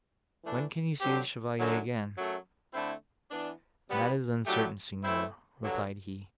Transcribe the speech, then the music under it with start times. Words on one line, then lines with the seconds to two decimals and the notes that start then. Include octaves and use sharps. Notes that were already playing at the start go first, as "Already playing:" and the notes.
When can you see the Chevalier again?' 'That is uncertain, Signora,' replied he.
0.43 E3 A3 D4
1.01 D3 F#3 C4 G4
1.59 F#2 D3 F#3
2.16 F#2 F#3 A3
2.73 D3 A3 C4 E4
3.31 E3 B3 D4
3.89 C3 G3 B3 E4 G4
4.46 A2 F#3 A3 D4 G4
5.04 E3 A3 C4 E4
5.61 G2 D3 F#3